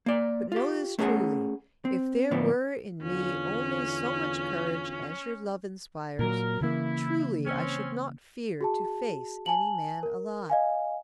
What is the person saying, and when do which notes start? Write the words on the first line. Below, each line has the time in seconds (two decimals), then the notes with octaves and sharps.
But know this truly: if there were in me only so much courage as your love inspires, truly I should not fear to face any man alive.
0.06 A#3 D5
0.52 F4 G4
0.99 A3 C#4 G#4 D#5 F#5 G#5
1.85 C4
2.31 A2 D3 F3 B3 D4
3.02 E2 D3 C#4 F4
6.19 A#2 F#3 A#4
6.61 C#3 E3 A#3 E4
7.45 C4 C#4
8.61 F#4 G#4 A5
9.46 G#5 A5 F#7
10.03 A#4
10.50 D#5 F5 G#5